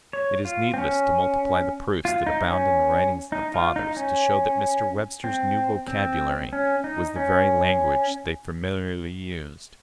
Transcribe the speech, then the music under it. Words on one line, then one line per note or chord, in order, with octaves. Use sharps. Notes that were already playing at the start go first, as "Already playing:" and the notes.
It is needless to multiply the proofs that abound in the writings of the "fathers" to show that Mr. Webster's "new vocabulary" was the very language they familiarly used.
C#5
F4
C4
C#4
F4
D#4
C#4
D#4
F4
D#4
C#4
C4
C4
C#4
D#4
C#4